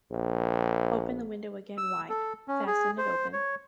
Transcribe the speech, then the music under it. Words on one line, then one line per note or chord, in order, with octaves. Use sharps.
Open the window again wide: fasten it open!
A#1
E6
A4
C#4
G#4
C5
C#5